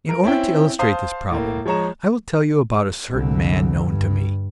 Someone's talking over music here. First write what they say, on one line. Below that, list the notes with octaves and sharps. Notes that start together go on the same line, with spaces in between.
In order to illustrate this problem, I will tell you about a certain man known to me.
A#4 D7
C4 C#4 E4 G5
C5 F5 A5 C6 D#6
A2 A#3
F3 G#3 C#5 A#5 E7
C2 D3
G2